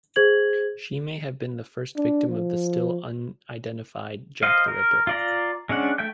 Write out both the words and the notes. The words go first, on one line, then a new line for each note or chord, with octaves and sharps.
She may have been the first victim of the still-unidentified Jack the Ripper.
G#4 C5 G#6 F#7
D4
F3
C5 D#5 F5
A#4
F4 D5 A#5
G#3 C#4 D4 F#5
A3 E5 G5 G6